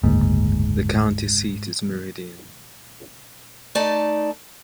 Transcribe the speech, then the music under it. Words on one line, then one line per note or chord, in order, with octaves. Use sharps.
The county seat is Meridian.
F#1 D2 G#2 A#3
A3 D#4 D5 A5